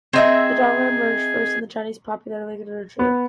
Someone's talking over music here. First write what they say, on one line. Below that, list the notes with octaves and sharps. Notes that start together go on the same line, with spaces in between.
The genre emerged first in Chinese popular literature.
C4 D#4 G#4 E5
B3